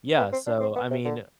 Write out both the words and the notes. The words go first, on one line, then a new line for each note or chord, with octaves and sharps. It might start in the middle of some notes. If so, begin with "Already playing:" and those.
Yeah, so, I mean,
B3
C4
D4
C4
B3
C3
D3